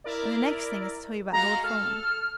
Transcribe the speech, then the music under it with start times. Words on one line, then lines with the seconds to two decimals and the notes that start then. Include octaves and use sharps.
"And the next thing is to tell you about Lord Fawn."
0.04 E4 A#4 D5
1.33 G#3 F#4 F5 A#5
1.64 A4 F6